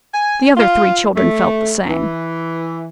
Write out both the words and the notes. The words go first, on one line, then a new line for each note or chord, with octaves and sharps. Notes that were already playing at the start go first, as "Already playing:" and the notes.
The other three children felt the same.
G#5
F4
A3
E3